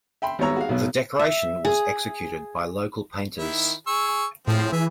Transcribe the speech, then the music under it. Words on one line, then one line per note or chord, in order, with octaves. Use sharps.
The decoration was executed by local painters.
E5 G5 B5 C6
G#1 G3 B3 C#5 A#5 E6
F#4 G#4 F5
B1 B2 F#3
E5
G#4
D#3 E4
G#4 C#6 E6
A2 F3 G#3 C4
E3 G#4 E5